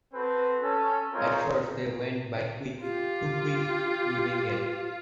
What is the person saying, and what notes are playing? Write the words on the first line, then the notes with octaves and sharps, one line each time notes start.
At first they went by quick, too quick to even get.
C4 F#4 A4 B4
C#4 A4
C4 D#4 F4 G#4 A#4 C#5
F4 G4